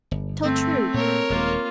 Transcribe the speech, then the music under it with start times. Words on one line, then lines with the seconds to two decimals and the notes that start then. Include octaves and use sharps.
Tell true.'
0.11 G1
0.44 A3 C4
0.94 A#2 A#3 A#4 C#5
1.30 D#1 D#2 G#3 A#3 F4